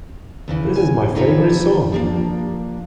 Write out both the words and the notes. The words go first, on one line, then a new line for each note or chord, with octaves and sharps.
This is my favorite song!
E2 C#3 E3
G#5
D#4 F4 A4 B4 C#5 D5
F3 A#3 D4